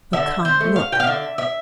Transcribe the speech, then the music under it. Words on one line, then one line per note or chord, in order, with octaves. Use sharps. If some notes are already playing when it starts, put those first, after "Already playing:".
But, come--look!
D3 E5
C5
A3
F5
G5
F5
D3 E5
E5